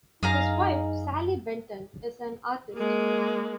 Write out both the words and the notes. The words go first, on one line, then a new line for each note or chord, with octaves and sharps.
His wife, Sallie Benton, is an artist.
F#2 D#4 G#4 F5 A#5
G#3 A#3